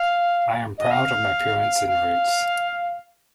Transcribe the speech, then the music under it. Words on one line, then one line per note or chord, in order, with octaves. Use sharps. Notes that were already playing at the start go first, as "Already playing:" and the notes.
I am proud of my parents and roots.
Already playing: F5
D#5
F5
F5